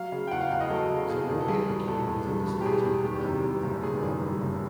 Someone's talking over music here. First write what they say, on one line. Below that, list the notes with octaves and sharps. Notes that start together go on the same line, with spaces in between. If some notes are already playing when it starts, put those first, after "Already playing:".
Zenobia became his indispensable companion and collaborator.
Already playing: F#3 F5
C#3
G5
E2 F#5
F5
E2 F5
D#5
F#3 A4
C#3
E2 G#4
E2
A4
G3 G#4
B2
E2 A4
E2
G3
B2
G4
E2 G#4
E2
D#3 G4
F#2
G3
F#1
D#3 G#4
F#2
G3
F#1